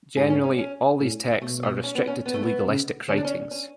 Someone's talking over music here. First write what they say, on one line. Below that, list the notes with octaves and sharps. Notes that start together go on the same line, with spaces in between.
Generally, all these texts are restricted to legalistic writings.
G#2 G#4
C#4
C#4
C#4
A2 C#4
B2 A3
A3
C#4
B3
C#4
B3
A3
B3
C#3
D3 C#4
D4
C#4
C#4